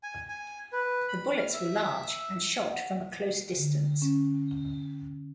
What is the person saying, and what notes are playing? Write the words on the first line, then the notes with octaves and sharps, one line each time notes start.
The bullets were large and shot from a close distance.
G#5
G#5
B4
B5
F6
E5
F#5
D3
C#4